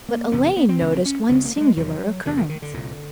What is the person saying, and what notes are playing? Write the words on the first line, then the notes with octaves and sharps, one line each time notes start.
But Elaine noticed one singular occurrence.
A#3
E2 C3 B3
B3
B3
C4
C#2 C#3 B3
C4
C#4
C#2 C#3 B3
A#3
G3
G#3
E2 C3 F#3
E2 C3 D#3
D#3
D#3
D3
C2 A#2